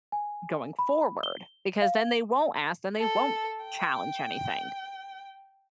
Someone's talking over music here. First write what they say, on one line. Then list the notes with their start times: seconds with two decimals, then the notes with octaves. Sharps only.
going forward, because then they won't ask, then they won't challenge anything.
0.12 G#5
0.79 B5
1.23 G7
1.82 F5
2.97 A4
3.64 G5